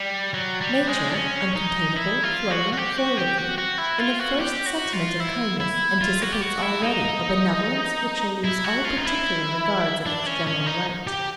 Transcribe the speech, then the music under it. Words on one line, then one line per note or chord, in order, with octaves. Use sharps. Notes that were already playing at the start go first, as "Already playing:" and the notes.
Nature, uncontainable, flowing, forelooking, in the first sentiment of kindness anticipates already a benevolence which shall lose all particular regards in its general light.
Already playing: G3
F#3
G3
G#3
D4
C#4
D#4
E4
F4
F#4
F#4
G4
F#4
G4
F#4
F#4
E4
F4
F#4
G4
F#4
F4
E4
E4
F4
F#4
G4
F#4
E4
D#4
E4
F#4
F4
D#4
E4
D4
C#4
C#4
D#4
G4